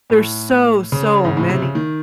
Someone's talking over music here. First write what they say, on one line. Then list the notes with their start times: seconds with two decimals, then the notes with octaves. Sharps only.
There's so, so many
0.10 A2
0.92 C#3
1.25 G#2
1.37 A2
1.50 C3
1.62 C#3
1.75 D#3